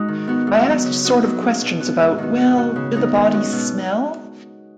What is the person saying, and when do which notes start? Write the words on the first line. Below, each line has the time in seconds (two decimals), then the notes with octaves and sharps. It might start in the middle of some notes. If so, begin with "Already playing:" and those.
I asked sort of questions about, 'Well, do the bodies smell?
Already playing: G#2 G#3 D#4 F#4
0.08 D#3
0.28 B3 D#4 F#4
0.47 G#2
0.66 F#3 B3
0.84 C#3
1.05 B3 D#4 F#4
1.24 F#3
1.42 C#4 G#4
1.61 B2
1.80 B3 F#4
2.00 G#2
2.18 D#3 B3 F#4
2.38 B2
2.57 B3 F#4
2.76 C#3
2.94 B3 D#4 F#4
3.14 D#3
3.33 G#3 C#4 F#4
3.52 B2